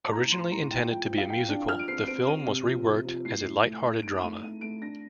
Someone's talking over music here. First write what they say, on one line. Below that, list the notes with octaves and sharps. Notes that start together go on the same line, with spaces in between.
Originally intended to be a musical, the film was re-worked as a light-hearted drama.
A5
A2 A#5
A2 C6
A2 A#5
A2 G5
F3 G5
F3
F5
F3 G5
D4
F3 F6
D7
C4 C7
C4 D7
C4 D#7
C3
F3
C3
F3
A2 C7
A2
A3
A2
D#4 D7
A3 D#7
A3 D#7
A3 D7
D4 A#6